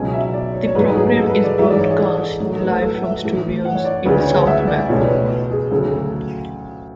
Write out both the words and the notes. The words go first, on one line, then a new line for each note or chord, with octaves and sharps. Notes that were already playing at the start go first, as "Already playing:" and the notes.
The programme is broadcast live from studios in Southampton.
Already playing: C#2 B2 F#3 G#5
E5
D5
C#5
C#5
G#2 F#3 A3 B4
G#4
A4
B4
D5
G#2 E3 G#3 E5
D5
C#5
G#4
A4
A2 F#3 A3
A4
B4
A4
A4
F#5
E5
A2 E3 A3
F#5
C#5
D5
D2 C#3 G#3 B4
C#5
F#5
E5
D5
C#2 B2 A3 C#5
B4
C#5
G#4
D2 C#3 F#3 A3 A4
A4